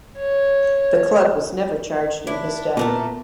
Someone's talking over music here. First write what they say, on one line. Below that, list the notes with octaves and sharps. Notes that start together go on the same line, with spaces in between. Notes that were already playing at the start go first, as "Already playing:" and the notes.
The club was never charged in his death.
C#5
D4 E4
A#2 A3 B3 A#4 A5